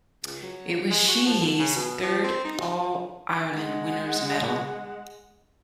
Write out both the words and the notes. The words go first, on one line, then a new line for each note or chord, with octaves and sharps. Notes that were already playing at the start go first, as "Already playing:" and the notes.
It was Sheehy's third All-Ireland winners' medal.
C#2
F#3
G#3
F#4
F3
D3
C#3
B2
F3
C4
D#4
G#3 F#5